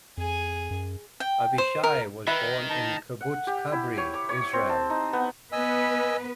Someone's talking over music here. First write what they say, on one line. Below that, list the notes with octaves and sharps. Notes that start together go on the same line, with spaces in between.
Avishai was born in Kibbutz Kabri, Israel.
F2 G#4 G#5
F#2
G5
C5
A#4
D#3 B4 E5
D#4 A5 A#5
F#5
G4
E4
C#5
D6
C#5
C4
A5
D#4
B3
B3 B4 D#5 G#5 E6